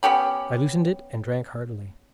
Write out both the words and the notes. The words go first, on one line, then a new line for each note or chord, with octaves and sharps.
I loosened it and drank heartily.
B3 C#4 G4 B5